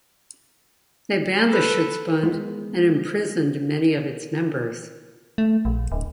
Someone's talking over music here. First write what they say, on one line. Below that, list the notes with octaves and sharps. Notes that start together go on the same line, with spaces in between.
They banned the Schutzbund and imprisoned many of its members.
A4 B4
G#3 B3
A3
A#1
D1